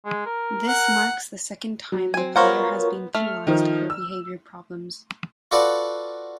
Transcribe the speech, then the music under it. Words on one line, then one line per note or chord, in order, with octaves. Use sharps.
This marks the second time the player has been penalised for behaivour problems.
G#3
A#4
F#5
F#3
C4 G#5
B3 F4 A#4 C5 C#5 F#5
A3 F6
D#3 F3
E6
F4 F#4 A4 B4 D5 F#5